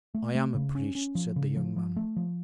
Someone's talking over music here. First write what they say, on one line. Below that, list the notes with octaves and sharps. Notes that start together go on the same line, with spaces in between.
"I am a priest," said the young man.
A3
A3
C#3
C#4
C#4
F3
C#3
F3
F3
A3
F3